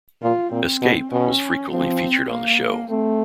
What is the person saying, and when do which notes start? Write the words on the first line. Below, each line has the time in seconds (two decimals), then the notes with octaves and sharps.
Escape, was frequently featured on the show.
0.22 A#2 F4
0.52 A#2 C4
0.82 B2
1.12 B2 C#4
1.71 F3 C4
2.30 A#3
2.90 A3 C4